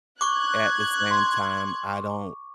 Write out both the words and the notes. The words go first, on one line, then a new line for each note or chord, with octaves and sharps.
At the same time, I don't
C#6 D6 F#6 G#6
C6